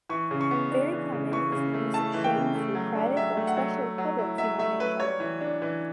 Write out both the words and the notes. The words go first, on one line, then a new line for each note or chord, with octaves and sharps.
Very common is the use of shame through private or, especially, public humiliation.
E3 C#6
C#3
C#6
B3
D4
E3
C#3
E3 C#6
C#3
A3
E4 A5
E3
G5
C#3
A3
F#3
D4
F#3 E5
A3
F#5
F#3
A3
F#3
E4
F#3 E5
A3 E5
F#3 B4
G3 C#5
E3
D4
E3